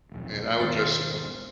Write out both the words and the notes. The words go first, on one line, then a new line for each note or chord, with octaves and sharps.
and I would just
D#1 B1 F2
E1 G#2 B2 D#3 C5 A6